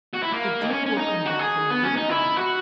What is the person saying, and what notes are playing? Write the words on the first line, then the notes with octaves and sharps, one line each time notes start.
The duke will come back in a little while.
F#4
E4
A#3
D#4
C#4
C#4
D#4
F#4
G#4
B3
C#4
D#4
E4
F#4